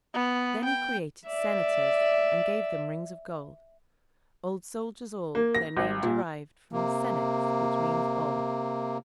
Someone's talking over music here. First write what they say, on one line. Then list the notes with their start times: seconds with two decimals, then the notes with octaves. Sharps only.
Then he created Senators, And gave them rings of gold; Old soldiers all; their name deriv'd From 'Senex' which means 'old.'
0.14 B3
0.64 G5
1.26 D5 E5
5.35 A#3
5.55 A#6
5.77 G#1
6.03 A#2
6.73 C3 A#3